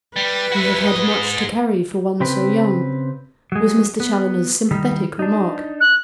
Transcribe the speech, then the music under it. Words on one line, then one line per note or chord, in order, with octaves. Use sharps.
"You have had much to carry for one so young," was Mr. Challoner's sympathetic remark.
G3 B4
F#4 E5
G#2 D#5
C#3 C4 G4 B4
F#3 G#3
B3
D#3 G3
D4 D#4
F#6